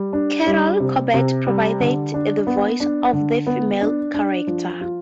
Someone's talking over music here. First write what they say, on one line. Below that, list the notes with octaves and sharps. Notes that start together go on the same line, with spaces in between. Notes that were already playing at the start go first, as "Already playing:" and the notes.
Carol Corbett provided the voices of the female characters.
Already playing: G3
D4
G3
C3
C3
G3
D3
D4
B3
D4
D3
B3
D4
D4
F3
F4